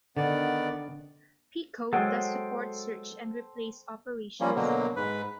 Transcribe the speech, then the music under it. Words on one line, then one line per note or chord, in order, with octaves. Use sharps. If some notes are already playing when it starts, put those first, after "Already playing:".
Pico does support search and replace operations.
D3 D#3 B3 D5
F#3 G#3 A4 C5 F#5 G5
F3 G3 A#3 C#4
B2 D3 F#3 A#3
G#2 B4